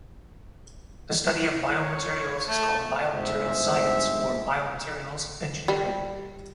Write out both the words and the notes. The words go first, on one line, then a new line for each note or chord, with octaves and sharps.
The study of biomaterials is called biomaterials science or biomaterials engineering.
C#5
A3
G1 G#2 E4 G#4 C5 E5
G3